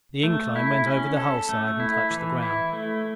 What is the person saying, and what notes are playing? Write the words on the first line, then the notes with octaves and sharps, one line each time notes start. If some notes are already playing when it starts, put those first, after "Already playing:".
The incline went over the hull side and touched the ground.
A3
E4
C#4
A4
A3
E4
E3
E4
A3